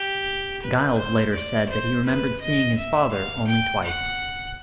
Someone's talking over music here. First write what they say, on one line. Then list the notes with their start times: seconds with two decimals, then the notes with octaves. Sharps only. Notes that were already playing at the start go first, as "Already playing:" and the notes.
Giles later said that he remembered seeing his father only twice.
Already playing: G4
0.62 B4
0.97 C5
1.33 D5
1.69 C5
2.05 B4
2.41 D#5
2.77 E5
3.12 F5
3.47 G5
3.84 F#5